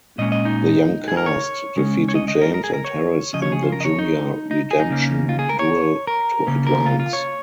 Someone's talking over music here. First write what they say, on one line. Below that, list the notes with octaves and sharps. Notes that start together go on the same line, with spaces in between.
The Young Cast defeated James and Harris in the Junior Redemption Duel to advance.
A#2 G#3 C#4 D#5
D#5
D#4
G#4
A#4
C#5
C#3 G#3 C#4
C#5
D#5
D#5
A#4
A#4
G#4
A#4
C#5
C#3 F3 C#4 D#5
C#5
G#4
F4
A#4
D#5
C#5
D#4
D#4
G#4
D#4
C#3 A#3 C#4
F4
G#4
A#4
C#5
A#4
C#3 A#3 C#4
A#4
F4
F4
C#5